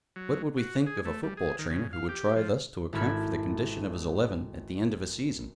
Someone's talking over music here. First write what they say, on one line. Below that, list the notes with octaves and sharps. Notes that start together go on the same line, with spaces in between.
What would we think of a football trainer who would try thus to account for the condition of his eleven at the end of a season?
F#3
F#4
G#4
A3
G3
G#4
D#3
C#3
F5
G4
F3
G#1 E4 A4 B5 F6 G#6